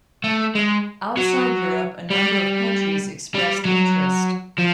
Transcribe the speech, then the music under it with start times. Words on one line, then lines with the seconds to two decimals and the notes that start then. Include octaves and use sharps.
Outside Europe a number of countries expressed interest.
0.24 A3
0.55 G#3
1.17 F#3
2.10 G3
3.35 G3
3.65 F#3
4.58 F3